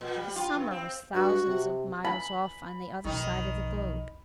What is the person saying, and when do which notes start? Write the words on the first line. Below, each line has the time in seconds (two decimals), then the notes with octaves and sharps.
The summer was thousands of miles off on the other side of the globe.
0.01 A#2
0.17 G3
0.36 F4
0.55 G2
0.71 C4
1.14 G2 F#4
1.47 C3
2.04 B5
3.04 B1 F2 D#3 D#4